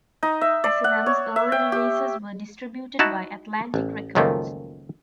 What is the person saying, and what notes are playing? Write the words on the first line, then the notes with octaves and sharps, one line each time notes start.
Asylum's early releases were distributed by Atlantic Records.
D#4
E5
D5
F#5
C#5
E5
G5
G4
D#4 E4 F#4 A5
A1
C#2 F#2 D#3 F3 A3 A#3